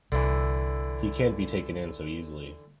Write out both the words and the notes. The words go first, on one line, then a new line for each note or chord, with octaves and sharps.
He can’t be taken in so easily.
C2 D3 E3